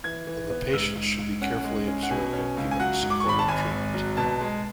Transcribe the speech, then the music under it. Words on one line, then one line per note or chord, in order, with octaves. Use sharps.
The patient should be carefully observed and given supportive treatment.
E3 G#6
E3
B3
G#2 E6
G#2
G#2
C#4 F#5
G#3
C#4
F#5
B2 G#5
C#4
C#2
G#5
F#3 F#5
G#2
D6
C#6
G#1 B5
A5
G#1 G#5
G#1
F#3
B2 A5
G#3